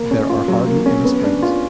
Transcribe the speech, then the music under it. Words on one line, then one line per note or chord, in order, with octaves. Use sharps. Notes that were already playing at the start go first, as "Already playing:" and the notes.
There are hardly any springs.
Already playing: A#3
C#4
F4
F#3
A#3
C#4
B3
D4
F4